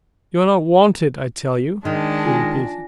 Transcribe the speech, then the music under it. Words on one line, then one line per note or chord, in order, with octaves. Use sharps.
"You are not wanted, I tell you," he repeated.
D#3 G#3 D4 A5
F4 G#5 A#6